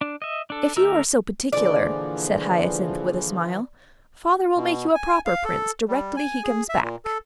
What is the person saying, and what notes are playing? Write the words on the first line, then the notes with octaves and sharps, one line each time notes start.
"If you are so particular," said Hyacinth, with a smile, "Father will make you a proper Prince directly he comes back."
D4
D#5 E5
D4 A4
D3 A3 D#4 A#4 E6
A#2 D3 E3 F3 G#4 D5
B2
G#5
F5
A4
G3
G#5
G#4
E5
A#2
A4